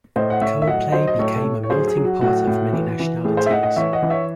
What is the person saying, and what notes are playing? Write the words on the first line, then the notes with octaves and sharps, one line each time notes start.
Coplay became a "melting pot" of many nationalities.
A2 C5 D#5
F#5
A2 C#5 E5
E5
F#3 D#5 F#5
F#3 C5 D#5
D#5
A2 A4 C#5
A4 C#5
A2
C#5
F#3 G#4 C5
G#4
F#3
F#4
A2 F#4
A2
E3
E3
A2 G#4
G#4 C5
E5
A2 D#5 F#5
D#5 F#5
E3 C#5 E5
D#5 F#5
E3
C#5 E5